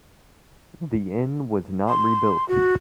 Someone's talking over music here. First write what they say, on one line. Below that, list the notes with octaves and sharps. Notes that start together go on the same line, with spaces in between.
The inn was not rebuilt.
C6
F#4